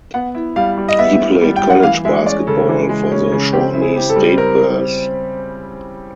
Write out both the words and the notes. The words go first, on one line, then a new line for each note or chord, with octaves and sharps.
He played college basketball for the Shawnee State Bears.
B3 F#5
E4
G3 F5
G3
D#5
B3 E5
E4
G3
G5
G3
F#5
E3 F5
G#3 E5
C#4 D5
C#3 A4
E3
G#3
C#4
C#3
C4 G4
E4
G#4
G4
A4
G3
C4 A#4